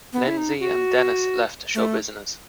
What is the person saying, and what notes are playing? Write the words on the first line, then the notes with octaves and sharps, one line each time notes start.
Lindsay and Dennis left show business.
B3
E4
D#4
F#4
A3